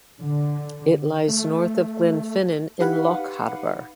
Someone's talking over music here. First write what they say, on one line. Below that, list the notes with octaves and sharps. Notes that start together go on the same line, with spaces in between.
It lies north of Glenfinnan in Lochaber.
D3
A3
D#4 G4 B4 F5 F#5 B5